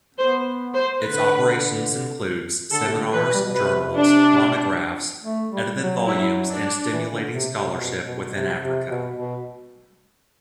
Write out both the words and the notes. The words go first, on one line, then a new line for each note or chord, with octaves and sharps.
Its operations includes seminars, journals, monographs, edited volumes and stimulating scholarship within Africa.
B3 C5
C5
D3 B4
D3 A4
C3
D3
E3 B4
G3
B2
C3 B4
D4
A3
G3
F#3
E4
D4
E3
D3
C3
C3
B2
B2
C3
C3
B2
B2